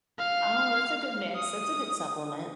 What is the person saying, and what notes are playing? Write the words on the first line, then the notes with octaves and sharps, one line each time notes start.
Oh, that's a good mix. That's a good supplement.
F5
D#6